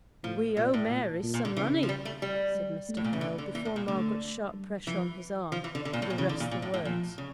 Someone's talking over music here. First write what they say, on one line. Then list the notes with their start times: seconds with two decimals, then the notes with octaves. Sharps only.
'We owe Mary some money,' said Mr. Hale, before Margaret's sharp pressure on his arm could arrest the words.
0.23 A2 F3
0.57 A#2 G3
0.74 A2
0.90 A#2
1.23 A#2
1.34 A#2
1.45 D3
1.57 C#3 E3
1.83 F3
1.89 G3
2.05 A3
2.22 G3
2.55 G3
2.89 A3
2.97 A2
3.04 A#2
3.13 C#3
3.21 D3
3.38 D3
3.54 E3 A#3
3.65 A2
3.76 A#2
3.87 D3 A3
4.53 G3
4.87 E3 F3
5.52 F3
5.64 E3
5.75 D3
5.85 D3
5.93 A#2
6.02 A2
6.10 A#2
6.18 C#3 E3
6.29 D3
6.40 A#2
6.51 A#2
6.62 A2
6.74 A2
6.84 A#2 F3
7.18 C#3